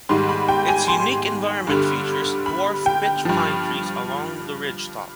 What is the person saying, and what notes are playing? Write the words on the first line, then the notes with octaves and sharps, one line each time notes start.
Its unique environment features dwarf pitch pine trees along the ridgetop.
G#2 D#3 G3 C6
B5
G5
G#5
C6
G2 D3 G3
B5
G5
G2 F3